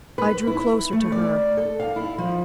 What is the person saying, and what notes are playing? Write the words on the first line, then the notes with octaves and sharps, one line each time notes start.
I drew closer to her.
B4
E4
A3
D5
A4
F5
E4
F3